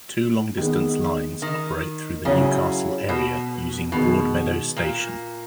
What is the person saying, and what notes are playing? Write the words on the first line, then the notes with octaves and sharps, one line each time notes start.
Two long distance lines operate through the Newcastle area using Broadmeadow station.
D#3 G#3 B3
D#3
C#3 F#3 C#4 E4
B2
B2 D#3 G#3 B3
A#2